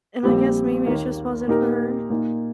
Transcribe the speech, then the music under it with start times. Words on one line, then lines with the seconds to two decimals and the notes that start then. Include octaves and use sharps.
and I guess maybe it just wasn't for her.
0.23 A#1 A#2 G3 C4 G4
0.86 D#2 D#3 A#3
1.48 A#2 A#3 D#4 G4 A#4
2.10 A#2 A#3 D#4